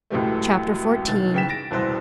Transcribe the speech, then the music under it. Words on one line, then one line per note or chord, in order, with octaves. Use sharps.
Chapter XIV.
C#2 F#2 A2 E3 G3 A3
C2 B2 D#3 A6
C#3 E3 G5 B6 E7
A6 A#6 D7
E1 C2 F#2 E3 B4 C5